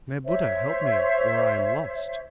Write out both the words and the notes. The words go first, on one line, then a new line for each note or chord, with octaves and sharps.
May Buddha help me or I am lost.
C5 C#5 E5